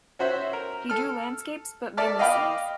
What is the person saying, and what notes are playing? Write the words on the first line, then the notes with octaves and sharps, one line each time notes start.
He drew landscapes but mainly seas.
C#4 F#4 C5 E5
A#4
A4 F6
A4 D5 E5 A5 F6
D#5 F5 G5 B5 D6 F6